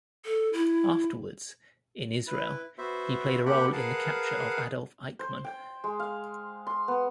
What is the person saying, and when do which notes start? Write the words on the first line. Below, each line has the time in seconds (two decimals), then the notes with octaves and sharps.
Afterwards, in Israel, he played a role in the capture of Adolf Eichmann.
0.25 A4
0.53 E4
2.27 E4 B4
2.78 B3 F#4 C5 E5
3.46 A#3 D4 G4 F#5 G5 B5
3.73 G#4 A#4 B4 F5 F#5 A5
5.19 C5
5.44 G5
5.84 G#3
6.00 F5
6.67 C6
6.88 B3